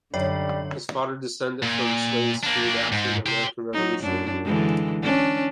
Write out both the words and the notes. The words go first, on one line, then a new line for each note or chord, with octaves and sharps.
His father was descended from slaves freed after the American Revolutionary War.
F#2 D3 G3 D#4 A#4 C#5
A#2
A#3 D4
G#2
G4 C5
F#3 D#4
F#2 D4
D3 E3 G#3
C#4 D4